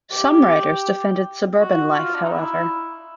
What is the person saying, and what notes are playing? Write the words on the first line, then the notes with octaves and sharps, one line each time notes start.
Some writers defended suburban life, however.
G4
F#4
F4
D4
D#4
E4